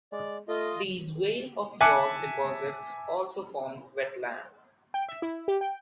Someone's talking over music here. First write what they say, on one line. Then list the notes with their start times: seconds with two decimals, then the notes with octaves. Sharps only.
These Vale of York deposits also formed wetlands.
0.13 G#3 D5
0.48 A3 F4 D#5
1.80 E5 G#5 A5 D6 F#6 C#7
4.94 G5
5.09 E5
5.22 E4
5.48 G4
5.61 G5